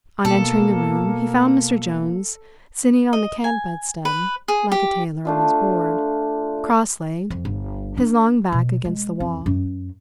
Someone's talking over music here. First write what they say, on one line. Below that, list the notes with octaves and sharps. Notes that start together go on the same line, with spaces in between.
On entering the room, he found Mr. Jones sitting on the camp bedstead like a tailor on his board, cross-legged, his long back against the wall.
B2 A#3 A4
D#5
G#5
B4
G#4
G4
A3 D4 F4
F2
G1
D4
B2
G#3
F2
F#2